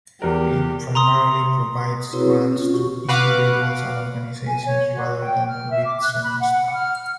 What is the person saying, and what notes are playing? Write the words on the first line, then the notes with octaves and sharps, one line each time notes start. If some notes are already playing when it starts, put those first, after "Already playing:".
It primarily provides grants to individuals and organizations rather than through its own staff.
E2 G4 A#4
A#5 C6 D#6
C4 E4 F#4 G#4 B4 C#5
C4
C#4 F4
F#4 G4 C#6
F#4 B4 F5 F#5 D6
G#5
C#5
F#4
G5
F6
E5
D6
F#6
B5
F#5
F6